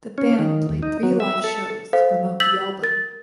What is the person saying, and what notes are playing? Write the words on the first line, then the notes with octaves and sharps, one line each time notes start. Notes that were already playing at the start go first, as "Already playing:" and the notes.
The band played three live shows to promote the album.
C#4
D#3
D#2
D#4
F#3
E5
A4
A4 C5 F5
E6 G6 A6 B6 F#7
A#4 A6